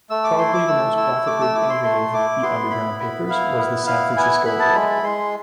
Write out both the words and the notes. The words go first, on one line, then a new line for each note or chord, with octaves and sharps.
Probably the most graphically innovative of the underground papers was the "San Francisco Oracle".
A3 E6
D6
E4 C6
D6
A3 E6
E4 E6
A3 D6
E6
E4 D6
C6
A3 C6
E4 D6
B3 C6
E4 B5
B3 B5
E4 F5
B3
E4 F5
B3 G#5
E4 B5
A5
G#3 B5
G#3 C6